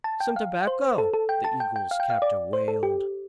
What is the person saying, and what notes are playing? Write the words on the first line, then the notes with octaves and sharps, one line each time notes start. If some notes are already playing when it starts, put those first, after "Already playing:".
"Some tobacco?" the eagle's captor wailed.
A5
G5
F5
C5
A4
A4
G5
A5
G5
G5
F5
G5
F5
D5
C5
A4
G4